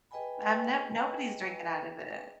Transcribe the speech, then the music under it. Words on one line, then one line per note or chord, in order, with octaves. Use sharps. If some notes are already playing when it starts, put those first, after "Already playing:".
Um, no nobody's drinking out of it.
G#4 B4 D#5 G5 G#5 B5